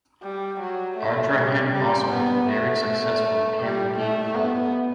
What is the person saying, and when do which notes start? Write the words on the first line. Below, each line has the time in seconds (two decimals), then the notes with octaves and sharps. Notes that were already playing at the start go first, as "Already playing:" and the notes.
Ardrahan also have a very successful Camogie club.
0.23 G3
0.60 F#3
0.98 A3
1.34 G3
1.73 G3
2.11 B3
2.48 A3
2.85 A3
3.61 G3
3.98 A3
4.35 B3